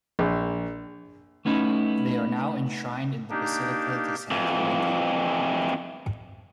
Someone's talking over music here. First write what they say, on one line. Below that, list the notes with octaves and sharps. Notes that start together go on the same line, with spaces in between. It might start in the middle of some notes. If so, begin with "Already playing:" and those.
They are now enshrined in the Basilica di San Clemente.
A#1
A3 B3 C#4 D#4 E4
A#3 D4 D#4 G4
F2 E3